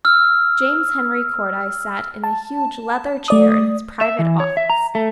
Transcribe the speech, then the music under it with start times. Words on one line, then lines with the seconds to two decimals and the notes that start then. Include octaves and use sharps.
James Henry Cordyce sat in a huge leather chair in his private office.
0.05 E6 F6
2.24 A5
3.28 A3 D5 D#6
4.01 E5
4.19 E3
4.40 C#5
4.57 E5
4.70 A#5
4.95 A3